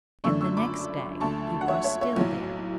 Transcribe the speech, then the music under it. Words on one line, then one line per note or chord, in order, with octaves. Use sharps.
And the next day he was still there.
F#2 D3 A3 D4 C#6 E6
C#6 E6
B5 D6
D2 D3 A3 A5 C#6
F#5
C#5 E5
C#5 E5
C#5 E5
B1 A2 F#3